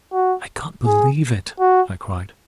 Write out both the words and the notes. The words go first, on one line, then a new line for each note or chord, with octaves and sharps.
"I can't believe it," I cried.
F#4
G#4
F#4